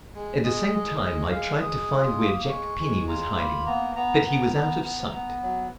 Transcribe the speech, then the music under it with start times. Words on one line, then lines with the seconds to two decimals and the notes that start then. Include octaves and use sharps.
At the same time I tried to find where Jack Penny was hiding, but he was out of sight.
0.15 G#3
0.43 G#3 D#5
0.73 G#3
1.02 G#3
1.31 G#3 F5
1.61 G#3 D#6
1.91 F4
2.20 A#3
2.49 G#3 C#6
2.78 G#3
3.08 F4 A#5
3.37 A#3 B5
3.66 B3 A#5
3.95 B3 A#5
4.25 B3
4.54 B3
4.84 B3
5.13 B3
5.43 F#3